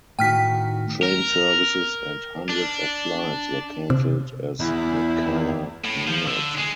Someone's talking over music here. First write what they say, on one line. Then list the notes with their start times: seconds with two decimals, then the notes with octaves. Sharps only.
Train services and hundreds of flights were cancelled as Mekkhala neared.
0.19 A2 D#3 F#4 G5 F6 B6
1.03 A#4
2.49 D4
3.90 C3
4.60 E2 E4
5.85 A2
6.08 F3
6.27 D3
6.58 G#3